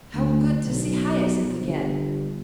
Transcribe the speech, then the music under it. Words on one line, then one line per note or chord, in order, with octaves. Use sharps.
How good to see Hyacinth again!
D2
B1
G1